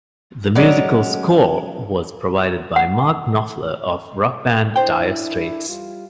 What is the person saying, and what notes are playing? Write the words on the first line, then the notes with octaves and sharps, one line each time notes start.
The musical score was provided by Mark Knopfler of rock band Dire Straits.
F#3 G#3 C#4 D5
F#5
D4 E4 C5 G5
G3 F4